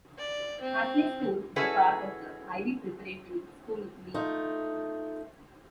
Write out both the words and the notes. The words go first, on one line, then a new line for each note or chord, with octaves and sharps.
Hackley School is a part of the Ivy Preparatory School League.
D5
C4
C#4 E4 F#4 G#4 A4 B4
A3 D#4 F4